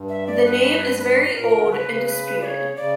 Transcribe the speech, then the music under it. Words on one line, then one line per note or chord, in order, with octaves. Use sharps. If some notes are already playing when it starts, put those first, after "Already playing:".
The name is very old and disputed.
Already playing: G2
E5
D5
B4
B4
B4
A#2 A#4
D3
C#3 B4
C#3
B4
D5
C#5
C#3 D5